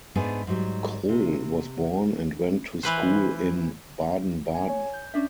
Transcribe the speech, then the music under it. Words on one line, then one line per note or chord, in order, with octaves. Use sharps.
Krull was born and went to school in Baden-Baden.
G#2 A3 B3 D4 G#4
G#2 F#3 G3
C3
E3 B4 C5
G#5
C#5 G#5
G6
C#4 D4 E5